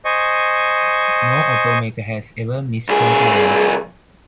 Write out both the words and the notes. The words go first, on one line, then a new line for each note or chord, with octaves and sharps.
No automaker has ever missed compliance.
C5 D#5 G#5 C#6
C2 G#4